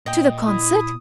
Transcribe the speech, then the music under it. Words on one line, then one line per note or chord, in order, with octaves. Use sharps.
"To the concert?"
A#2 D#5 G5
E4 D#6